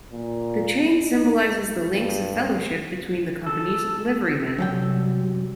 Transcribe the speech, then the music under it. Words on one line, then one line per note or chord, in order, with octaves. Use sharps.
The chain symbolises the links of fellowship between the Company's liverymen.
A#2
D#4
G2
A4
F#2 C3 F#3 G3 G5